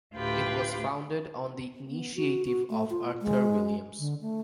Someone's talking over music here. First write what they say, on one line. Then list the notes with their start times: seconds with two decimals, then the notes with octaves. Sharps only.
It was founded on the initiative of Arthur Williams.
0.14 D2 A2 F4 G4 B4 G5
1.89 B3
2.16 F#4
2.46 F#4
2.70 A3
2.90 F4
3.21 G#3
3.99 D3
4.21 A3